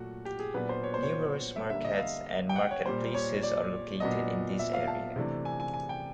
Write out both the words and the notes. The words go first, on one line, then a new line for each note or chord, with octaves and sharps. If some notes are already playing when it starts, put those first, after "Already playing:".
Numerous markets and marketplaces are located in this area.
Already playing: A#2 F#3 A3 F#4
G4
G#4
A#2 F#3 B3 D4 B4
C5
C#5
C5
C#5
E5
D3 G3 A#3 E5
D#5
E5
F5
G5
F#5
C#5
A#2 G3 A#3 C5
C#5
D5
A#2 F#3 B3 D4 D#5
E5
F5
A5
C3 E3 A3 D4
G#5
G#5
G#5
G5